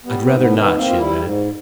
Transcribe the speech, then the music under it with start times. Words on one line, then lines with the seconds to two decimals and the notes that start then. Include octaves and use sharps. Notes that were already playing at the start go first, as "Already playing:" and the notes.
"I'd rather not," she admitted.
0.05 G3 B3
0.23 B3
0.28 G#2
0.40 B3
0.52 D#3
0.58 B3
0.75 A#3 C4
0.89 F4
0.99 G3 E4
1.23 G#2